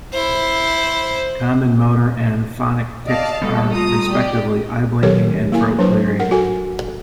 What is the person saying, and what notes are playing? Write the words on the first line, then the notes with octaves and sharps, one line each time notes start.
Common motor and phonic tics are, respectively, eye blinking and throat clearing.
E4 C5
D5 D#5 F5 A5
G3 A3 B3 A4
F4 A#5 D#6
G4 D5
D#3 F#3 G4 A4 A#4 C#5
A#3 E4 A#4 G#5
F#3 D4 B4 C5
A#4 F#5
F#4 A4 G#5